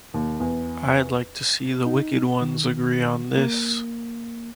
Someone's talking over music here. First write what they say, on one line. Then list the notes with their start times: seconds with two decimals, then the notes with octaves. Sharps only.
I’d like to see the wicked ones agree on this.
0.14 D#2
0.40 E2
1.86 D#4
2.41 D#3
3.37 A#3